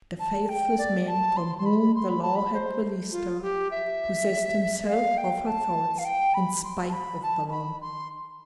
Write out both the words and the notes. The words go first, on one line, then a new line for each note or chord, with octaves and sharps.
The faithless man from whom the law had released her, possessed himself of her thoughts, in spite of the law.
A5
G5
D5
A5
C6
C6
B5
C6
B5
A5
B5
C5
F4
G4
E5
E5
F5
G5
A5
F5
G5
B5
C6
A5
B5
A5
A5
B5
C6